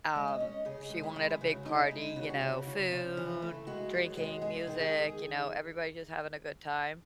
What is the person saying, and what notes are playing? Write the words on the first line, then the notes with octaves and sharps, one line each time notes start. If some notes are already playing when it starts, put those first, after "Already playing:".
Um, she wanted a big party, you know, food, drinking, music, you know, everybody just having a good time.
G#3
D#5
C#4
C#3 G#4
G#3
E4
G#3
C#3 F#4
D#4
E4
G#3
C#3 F#4
G#4
F#4
C#3 F#4
C#3 E4
C#3
E3
A3
G#3 F#4
F#2
G#3
G#3 G#4
D#3
G#4